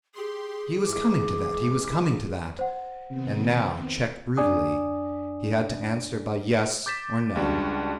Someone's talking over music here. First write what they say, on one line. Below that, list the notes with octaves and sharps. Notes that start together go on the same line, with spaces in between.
He was coming to that, he was coming to that--and now, checked brutally, he had to answer by yes or no.
G4 G#4 C6
G#2 E3 D6
C5 F#5
C3 D#3 B3 C4
F#2 D4 D5 G#5 D#6
D6 G6 A6 B6 E7
C#2 G3 D4 F#4